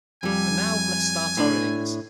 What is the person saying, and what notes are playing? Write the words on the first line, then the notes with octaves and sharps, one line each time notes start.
And now let's start our innings.
F2 G3 G#5
A2 D4